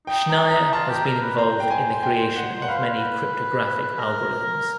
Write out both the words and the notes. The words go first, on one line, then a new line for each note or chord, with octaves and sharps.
Schneier has been involved in the creation of many cryptographic algorithms.
D#4 G5
A#5
A#5
F4 A5
G4
A#5
A#4
B4
C5 A#5
G5
G#5
G5
F#5
F#5
B4 F5
C5
B4
A#4